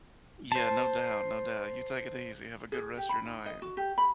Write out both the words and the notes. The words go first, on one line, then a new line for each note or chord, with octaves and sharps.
Yeah, no doubt, no doubt. You take it easy. Have a good rest of your night.
C5 A5
G#4
G4
B5
D#4
D#5
F#4
G4
B5